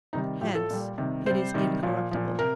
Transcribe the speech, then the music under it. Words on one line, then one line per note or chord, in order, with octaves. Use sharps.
Hence it is incorruptible.
C3 D#3 G3 D#4
A2 F3 G4
A4
A#2 G3
C3 D#3 G3
C3 G3 C5
C3 D#3 G3
A#2 F3
A#2 F3
C3 A#4